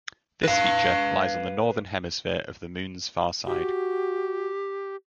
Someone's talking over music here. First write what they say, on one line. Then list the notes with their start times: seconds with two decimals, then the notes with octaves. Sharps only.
This feature lies on the northern hemisphere of the Moon's far side.
0.43 B4 F5
3.46 F#4 G4